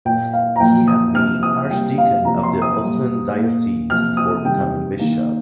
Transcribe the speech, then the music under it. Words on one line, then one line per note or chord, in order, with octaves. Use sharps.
He had been Archdeacon of the Osun Diocese before becoming bishop.
A#2 A#3 G5
F5
A#5
A#2 F3 A#3 G5
D#6
C3 F3 A#3 F6
D#6
C3 G3 A#3 G5
F5
C3 F3 A#3 A#5
C6
D#6
A#2 G3 A#3
A#2 A#3
C3 F3 A#3 F6
D#6
C3 D#3 G3 G5
D#3 A#3